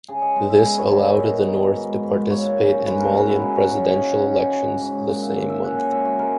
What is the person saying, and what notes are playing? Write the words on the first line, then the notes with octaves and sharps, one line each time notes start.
This allowed the North to participate in Malian presidential elections the same month.
C#3 G#4
D#5
G#3 D#5
E5
B3 D#5
C#5
D#3
E5
B2 D#5
D#4
G#2
G#2
A#3 C#5
C#3
G#3 B4
A#4
B2 F#4
E4
C#4 D#4
F#4
C#3 C#5
D#5
F#3 F#5
C#4
F#3
G#2
A#2 F#5
E5
A#2
E5
C#4 F#5
E5
G#3 E5
F#4
G#3 A#4